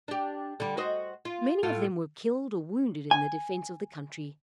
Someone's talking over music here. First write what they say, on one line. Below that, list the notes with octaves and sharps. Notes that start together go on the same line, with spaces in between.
Many of them were killed or wounded in the defence of the country.
D4 G4
D3 G3
F#4 C5 D#5
F4
A2 F4 A4
G#5